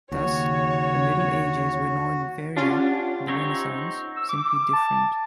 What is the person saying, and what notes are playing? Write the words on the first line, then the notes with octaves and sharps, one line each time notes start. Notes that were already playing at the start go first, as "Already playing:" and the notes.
Thus, the Middle Ages were not inferior to the Renaissance, simply different.
D#2 C#3 F#4 C#5
C#4 D4 F4 G4
F#5
C4 D#4 C#5
E6
D6
A5